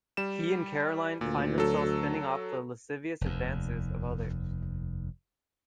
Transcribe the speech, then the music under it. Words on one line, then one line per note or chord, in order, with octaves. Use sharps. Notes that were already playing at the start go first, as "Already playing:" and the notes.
He and Caroline find themselves fending off the lascivious advances of others.
G3 E7
D2 A#2
F#3 A4
F1 D#2